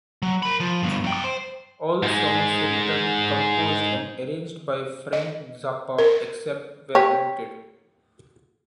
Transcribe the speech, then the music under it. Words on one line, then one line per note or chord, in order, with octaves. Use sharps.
All songs written, composed and arranged by Frank Zappa except where noted.
F#3
A#4 B5
F3
G2 B2
F#2 G5
C5
G#2 G#3
D#5
A#4
G4 C#5